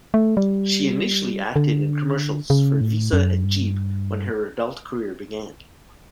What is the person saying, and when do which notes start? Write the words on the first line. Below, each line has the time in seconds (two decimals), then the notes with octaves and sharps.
She initially acted in commercials for Visa and Jeep when her adult career began.
0.14 A3
0.37 G3
1.56 D3
2.50 C#3
2.81 A2
3.13 F#2
3.44 G2